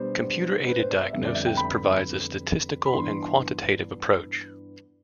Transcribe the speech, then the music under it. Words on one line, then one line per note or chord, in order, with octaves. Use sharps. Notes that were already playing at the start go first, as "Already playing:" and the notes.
Computer-aided diagnosis provides a statistical and quantitative approach.
Already playing: B2 G3 B3 D4 C5
B4
C5
D5
E5
F2 D3 G3 B3 E5
D5
E5
G5
B5
B5
G2 E3 B3 D4 C6